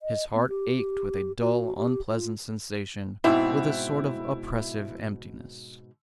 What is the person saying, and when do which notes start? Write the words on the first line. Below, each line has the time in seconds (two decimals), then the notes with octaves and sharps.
His heart ached with a dull, unpleasant sensation, with a sort of oppressive emptiness.
0.01 D#5
0.34 B3
0.49 G4
1.40 F#4
1.77 G4
2.10 F4
3.24 G#2 B2 C4 E4